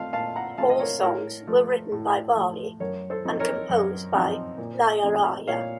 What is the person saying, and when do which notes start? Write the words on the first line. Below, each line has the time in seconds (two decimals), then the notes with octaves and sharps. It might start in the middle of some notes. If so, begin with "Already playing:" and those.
All songs were written by Vaali and composed by Ilaiyaraaja.
Already playing: A3 C4 F4 F5 A5
0.13 A#2 F5 A5
0.36 F#5 A#5
0.58 A3 C4 F4 F5 A5
0.70 D#5
0.79 A#4 C#5
1.02 A2 A#4 C#5
1.47 F3 A3
1.92 A2
2.36 F3 A3
2.80 F#2 A#4 C#5
3.10 A4 C5
3.25 F3 C4 D#4
3.39 A#4 C#5
3.69 F#2
4.14 F3 C4 D#4
4.58 A#2
5.03 F3 A3 C4 D#4
5.48 A#2 C#5 F5